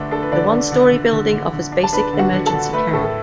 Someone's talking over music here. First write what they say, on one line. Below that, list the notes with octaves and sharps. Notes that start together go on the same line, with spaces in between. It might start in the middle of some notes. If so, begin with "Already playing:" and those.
The one-storey building offers basic emergency care.
Already playing: D3 A3 D4 B4
D4 A4
B4
D3 D4 D5
D3
D3
D3
D3
D3
D3
D4
A5
D4 B4 B5
D3
F#4 F#5
D3
A4 A5
D3
A3 B4 B5
A2 A4
A4